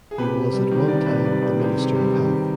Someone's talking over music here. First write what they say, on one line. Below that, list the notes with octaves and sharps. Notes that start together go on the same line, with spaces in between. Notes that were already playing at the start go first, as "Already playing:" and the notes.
He was at one time the Minister of Health.
G#4
C3 G4 B4
C3
G3
D#3
C3 B4 D5
C3 B4 D5
G3 B4 D5
D#3 B4 D5
C3 G#4 C5
C3
G3
D#3
C3